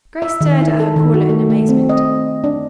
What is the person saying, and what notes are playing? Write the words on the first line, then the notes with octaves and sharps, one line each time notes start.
Grace stared at her caller in amazement.
E5
D#3
E4
A4
D#3
F#4
A3
A3
C4
D#5
D4